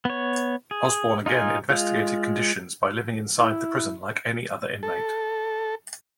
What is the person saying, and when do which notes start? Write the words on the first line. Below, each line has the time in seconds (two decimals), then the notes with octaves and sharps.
Osborne again investigated conditions by living inside the prison like any other inmate.
0.05 B3 C#5
0.71 G#4
1.26 D#4 F4 G#4 G#5
1.70 G#3 F4
3.39 E4
4.83 A4